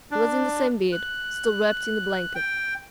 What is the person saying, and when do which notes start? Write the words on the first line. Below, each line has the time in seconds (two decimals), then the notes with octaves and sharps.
He was in the same bed, still wrapped in the blanket.
0.11 D4
0.93 F#6
2.35 G5